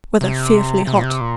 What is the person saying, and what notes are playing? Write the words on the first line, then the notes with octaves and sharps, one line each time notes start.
Weather fearfully hot.
C3
C3
A#2
C3
A#2